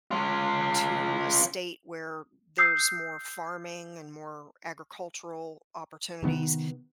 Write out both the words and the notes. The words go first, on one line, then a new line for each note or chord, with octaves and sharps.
to a state where there's more farming and more agricultural opportunities
C#4 F4
D#6 E6 G6 C7
C3 D#3 B3